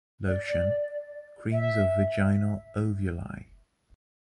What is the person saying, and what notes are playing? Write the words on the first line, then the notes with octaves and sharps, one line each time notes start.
Lotion, creams or vaginal ovuli.
D5
E5